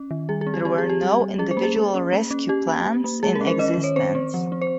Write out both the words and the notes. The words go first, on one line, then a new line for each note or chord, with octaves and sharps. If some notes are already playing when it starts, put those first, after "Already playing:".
There were no individual rescue plans in existence.
Already playing: C#4
D#3
G3 G#4
G#4
C4
G4
C4 G4
G#4
C4
G4
G3
G3
C#4 G#4
C5
A#3
G#4
A#3
C#4
A#3
C#4
C#4 G4
A#3
A#3
A#3
G#3 G#4
A#4
C#4
C5
C#4 D#5
D#3
C#5
C4 C5
C4
F3
C4
C5